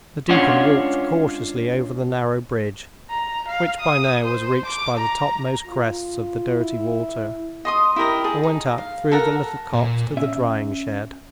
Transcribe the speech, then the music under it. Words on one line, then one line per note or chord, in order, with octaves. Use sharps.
The deacon walked cautiously over the narrow bridge, which by now was reached by the topmost crests of the dirty water, and went up through the little copse to the drying-shed.
G#3 C#4 D4 F4 C#5 F#5
A#5
F5
D#6
C5
D6
A#5
F4
E4
D#5 C6 D#6
E4 G4 A#4 D#5
G#4 A5
D#4
F5
A4 A#4 F#5
A#2
C#4 E5